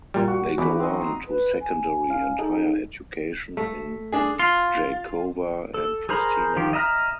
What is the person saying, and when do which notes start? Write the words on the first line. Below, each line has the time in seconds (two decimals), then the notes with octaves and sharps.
They go on to secondary and higher education in Gjakova and Pristina.
0.14 A#2 G3
0.28 F#4
0.58 E2 D#4 B4 D6
0.79 C4 D#5
1.00 A#5 C6
1.28 B4
1.60 G#5
2.09 C#4 F5
2.39 D#4 G#4 A4
3.57 A3
4.12 D4 G#4
4.39 F4
5.74 A4
6.09 G#4 A#4 C5 A#5 B5
6.56 D#3 F3 G4
6.73 D#5 E5 A#5 F6